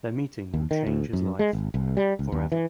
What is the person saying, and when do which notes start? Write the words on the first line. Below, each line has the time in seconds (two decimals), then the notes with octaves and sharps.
Their meeting will change his life forever.
0.54 D#2
0.71 D#3
0.86 D2
1.13 F#2
1.39 G#3
1.53 G#1
1.74 C2
1.97 G3
2.19 C#2
2.32 D#2
2.52 E3